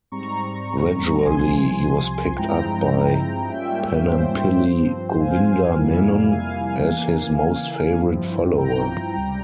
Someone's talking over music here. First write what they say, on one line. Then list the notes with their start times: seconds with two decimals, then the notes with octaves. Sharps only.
Gradually, he was picked up by Panampilly Govinda Menon as his most favourite follower.
0.12 G#2 G3 C4 A#5 C#6
1.24 C2 C3 F3 G#5 C6
2.37 G2 F3 G#3 C4 E4 G5 A#5
3.50 G#2 G3 A#3 C#4 F4 E5 G5
4.06 C5
4.63 G2 F3 C4
5.19 F5 G#5
5.76 F2 C3 G3 A#3 E4
6.32 F5 G#5
6.89 C#3 E3 A#3
8.02 G2 F3 C4 E4
8.57 G5 A#5
9.14 C#2 C3 G3